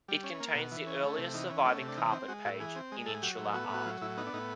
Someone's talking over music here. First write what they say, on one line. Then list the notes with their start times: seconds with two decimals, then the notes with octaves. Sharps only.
It contains the earliest surviving carpet page in Insular art.
0.08 G3
0.24 C#4
0.40 A#3
0.55 B2
0.71 E3
0.87 C#4
1.03 A3
1.18 C3
1.34 E3 D#4
1.50 C#4
1.65 A3 D4
1.81 C3
1.88 D4
1.97 E3 D#4
2.12 C4 D#4
2.28 G#3 F#4
2.45 A2 F#4
2.60 E3 G#4
2.76 C4
2.92 G#3
3.06 A2 A4
3.14 G#4
3.22 F#3 G4
3.38 A2
3.54 B3 F#4
3.70 A2 F#4
3.85 F#3 F4
4.01 A2 E4
4.17 B3 D#4
4.26 D4
4.33 A2 D#4